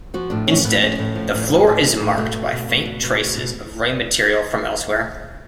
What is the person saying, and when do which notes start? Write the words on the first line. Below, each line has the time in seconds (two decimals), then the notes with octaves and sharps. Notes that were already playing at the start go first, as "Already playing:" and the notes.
Instead, the floor is marked by faint traces of ray material from elsewhere.
0.14 F3 F#4
0.30 A2 D4
0.47 F3 C#4
0.64 A2 B3
0.81 F3 C#4
0.99 A2
1.15 F3
1.33 A2
1.49 F3
1.67 A2
1.84 F3
2.00 A2
2.17 B2 A3
2.34 B2
2.52 B2
2.68 B2
2.85 B2
3.03 B2
3.19 B2
3.37 B2